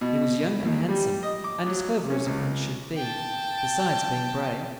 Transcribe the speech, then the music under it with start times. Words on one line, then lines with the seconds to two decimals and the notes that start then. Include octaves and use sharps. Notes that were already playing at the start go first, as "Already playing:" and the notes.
He was young and handsome, and as clever as a Prince should be, besides being brave.
0.01 B2
0.65 D#2
0.89 G3
1.23 D#5
1.44 D6
1.66 F#3
2.10 C#4
2.26 C#2
2.96 G5 A5